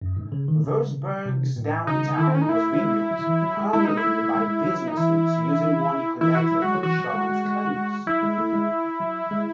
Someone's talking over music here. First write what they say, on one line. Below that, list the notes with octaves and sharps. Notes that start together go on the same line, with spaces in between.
Roseburg's downtown was rebuilt, primarily by businesses using money collected from insurance claims.
F#2
G#2
C#3
D#3
C#3
C3
A2
C#3 D#4
D#3 E4
C4
C#4
D#4
A3 E4
G#3
F#3
E3
F#3
G#3
G#3 E4
D#4
E4
A3
G#3
F#3
D#4
E3 E4
E3 E4
F#4
E4
F#3
G#3 F#4
F#3
E3 F#4
F#3
G#3
G#3
G#3
G#3
F#3 E4
G#3
A3
G#3
F#3
G#3